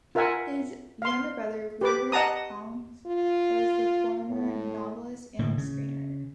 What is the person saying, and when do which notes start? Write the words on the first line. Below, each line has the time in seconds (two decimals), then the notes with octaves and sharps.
His younger brother, Rupert Hughes, was the famed novelist and screenwriter.
0.15 F4 A#4 E5 F#5 G#5
1.02 F5 C6
1.81 G4 B4 D6
2.12 D#5 F#5 A5 A#5 D#6
3.07 F4
4.28 A2
5.39 A2 D3 A#3
5.58 C#3